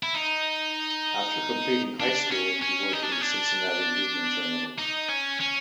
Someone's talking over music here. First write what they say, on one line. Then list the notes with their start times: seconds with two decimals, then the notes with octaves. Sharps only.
After completing high school he worked in the Cincinnati Union Terminal.
0.03 E4
0.14 D#4
2.00 D4
2.31 C#4
2.61 C#4
2.92 D#4
3.02 D4
3.11 C#4
3.21 D4
4.79 D#4
5.09 C#4
5.41 C#4